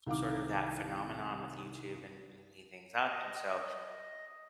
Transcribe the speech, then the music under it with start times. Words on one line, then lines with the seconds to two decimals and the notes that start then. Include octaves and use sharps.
sort of that phenomenon with YouTube and looking things up, and so,
0.06 C2 D#3 F5 D6
3.09 D#5